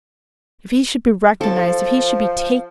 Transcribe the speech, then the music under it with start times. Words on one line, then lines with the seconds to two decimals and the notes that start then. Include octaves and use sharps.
If he should be recognised! If he should be taken!
1.41 F3 A4 A5